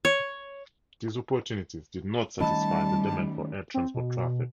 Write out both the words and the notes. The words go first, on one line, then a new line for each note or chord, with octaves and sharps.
These opportunities did not satisfy the demand for air transport traffic.
C#5
D#3 G3 A3 C#4 D#5 A5 B5
C4
B2